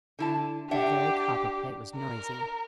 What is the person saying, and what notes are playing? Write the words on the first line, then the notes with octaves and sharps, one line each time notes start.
The very copperplate was noisy.
D3 E4 A5
D4 G4 E5 F#5
A#4